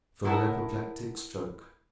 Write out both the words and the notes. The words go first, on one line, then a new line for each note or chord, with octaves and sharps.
"From an apoplectic stroke."
B3 E4 A#4 F#5 A5